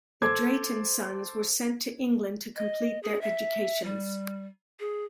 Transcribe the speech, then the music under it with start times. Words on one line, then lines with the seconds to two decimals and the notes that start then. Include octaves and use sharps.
The Drayton sons were sent to England to complete their educations.
0.22 A4 C5 A5 D6 G#6
2.56 D#5
3.03 G#4
3.21 E5
3.84 G3
4.80 G#4